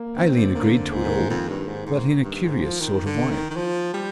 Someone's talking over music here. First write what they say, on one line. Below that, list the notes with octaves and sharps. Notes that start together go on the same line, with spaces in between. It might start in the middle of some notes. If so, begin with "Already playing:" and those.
Aileen agreed to it all, but in a curious sort of way.
Already playing: A#3
D#3 C4
D3
D3 A#3
G#2
D#3
F2
G2
G#2
G#2
G2
G#2
F3
D#3
D3
D#3
D#3
F3
G3